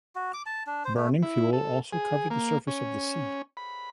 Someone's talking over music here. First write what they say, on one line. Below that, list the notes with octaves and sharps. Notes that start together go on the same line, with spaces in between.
Burning fuel also covered the surface of the sea.
F#4
D6
A5
D4
C5
A3
E4
A4
G#4
A#3
C#4
B5